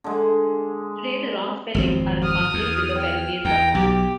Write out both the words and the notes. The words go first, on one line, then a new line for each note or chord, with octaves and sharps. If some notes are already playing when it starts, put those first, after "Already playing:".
Today the wrong spellings are in conflict with the Peruvian law.
D3 G#3
G#1 F2 C4
D#6 F6
E2
G5 F6
E2 G5 A#5
B1 G4